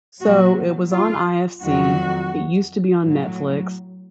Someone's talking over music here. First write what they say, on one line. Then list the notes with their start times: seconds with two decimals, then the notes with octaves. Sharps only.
So, it was on IFC; It used to be on Netflix.
0.21 A#2 F#3 F#4
0.92 F4
1.62 F2 D#3 F#3 F#4
3.03 A2 F#3